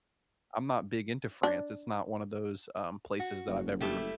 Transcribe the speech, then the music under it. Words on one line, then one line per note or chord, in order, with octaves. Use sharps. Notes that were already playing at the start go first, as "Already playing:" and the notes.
I'm not big into France, it's not one of those, um, places that I've ever
D4
F#4
F#1
G3 A3 E4